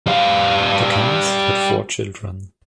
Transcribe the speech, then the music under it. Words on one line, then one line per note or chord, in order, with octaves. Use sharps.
The Kennas had four children.
G3 F5